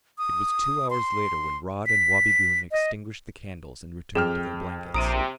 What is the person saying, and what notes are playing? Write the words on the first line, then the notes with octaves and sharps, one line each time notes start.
It was two hours later when Rod and Wabigoon extinguished the candles and returned to their blankets.
D#6
C6
B6
D#5
F2 G#4 G5 F6
A#1 C3 A#5 D#6 D7 D#7